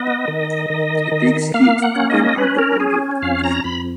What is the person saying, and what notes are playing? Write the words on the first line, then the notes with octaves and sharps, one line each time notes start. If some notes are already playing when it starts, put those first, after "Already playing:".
It takes heat to bring out the odor.
Already playing: B3 D#5
D#3
D#3
D#3
A#3 F5
F#5
C#4
D#5
C#4 B4
A#4
C#4 G#4
F2 F5
A#5
F2 B5